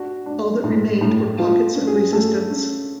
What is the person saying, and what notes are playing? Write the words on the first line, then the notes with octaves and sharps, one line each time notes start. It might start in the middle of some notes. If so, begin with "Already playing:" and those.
All that remained were pockets of resistance.
Already playing: D4 F#4
D4
A2
A2
F3 F4
C#4
G#4
A3 A4
C#4